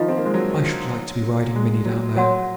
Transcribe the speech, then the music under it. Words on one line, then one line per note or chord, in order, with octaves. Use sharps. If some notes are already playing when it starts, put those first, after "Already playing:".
'I should like to be riding Minny down there!
Already playing: D#3 F3 F4 D#5
C4
A#3
G#3
F#3
G#3
F#3
F#3 A#4 C#5 F#5 C6